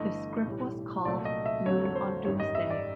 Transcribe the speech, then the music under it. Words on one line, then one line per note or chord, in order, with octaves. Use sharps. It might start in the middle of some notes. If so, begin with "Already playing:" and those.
The script was called "Noon on Doomsday".
Already playing: G1 G2 E3 A3 D#5
B1 A2 E3 G3
C2 A#2 F#3 A3 D5
D#5
E5
F2 D3 F#3 A3 C#5
C#5
C5
G#1 F#2 D#3 G3 C#5
D#5
E5
D5